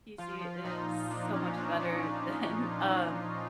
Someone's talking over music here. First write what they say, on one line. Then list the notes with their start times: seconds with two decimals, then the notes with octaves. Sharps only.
PC is so much better than um,
0.18 F3 F4
0.41 F3
0.64 A#2 D#4
0.88 A#2
1.11 F3 D4
1.33 F3 C#4
1.56 A#2 D4
1.80 A#2 D4
2.03 F3 D4
2.26 F3
2.49 A#2 C#4
2.72 A#2
2.95 F3 D4
3.18 F3